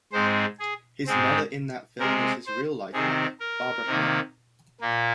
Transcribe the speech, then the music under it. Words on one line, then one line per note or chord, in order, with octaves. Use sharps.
His mother in that film was his real-life mother, Barbara Hale.
G#2 G#3 C4 C5
G#4
G#2 G#3 C4
C3 G#3 C4 A#4
C5
C3 D#3 C4 G#4
A#4
C3 D#3 A#3
A#2 A#3